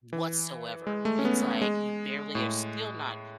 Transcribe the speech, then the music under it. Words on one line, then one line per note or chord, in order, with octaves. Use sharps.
whatsoever, it's like you barely are still not
E3
G#3
A3
C#4
B3
B3
G#3
A2